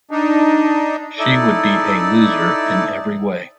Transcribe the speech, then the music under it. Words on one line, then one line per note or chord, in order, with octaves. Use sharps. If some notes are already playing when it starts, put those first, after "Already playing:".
She would be a loser in every way.
D4 D#4
D#4 E4 A4 D5